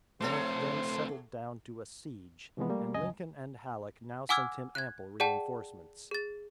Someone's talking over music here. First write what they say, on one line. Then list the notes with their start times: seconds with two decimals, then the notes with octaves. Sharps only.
Grant then settled down to a siege, and Lincoln and Halleck now sent him ample reinforcements.
0.21 E2 A3 C4 A4 C5 C#5
2.57 C3 E3 F3 G#3 B3
2.70 G3 A3 A#3
2.94 C#2 F#2 D#5 G#5
4.29 F#5 G#5 D6 E6 F6 G#6
4.75 F#6 G#6
5.20 G#4 D5 F#5 G5 A5
6.11 G#4 A6